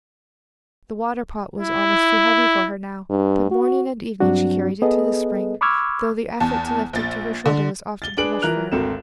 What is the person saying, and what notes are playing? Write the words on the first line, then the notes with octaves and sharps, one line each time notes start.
The water-pot was almost too heavy for her now, but morning and evening she carried it to the spring, though the effort to lift it to her shoulder was often too much for her.
E4
G2
F#4
G2 F#3 C4 D4 F#4
B3 G#4 A4 B4 D#5
B5 C#6 D6 E6 F6 G#6
E2 A5
A#1 A6
D3
A6 G7
D4 G#4 B4 D7 F#7
E3 F3 A#4 F#6 F7
G#1 D2 C4 A4 A#4 E7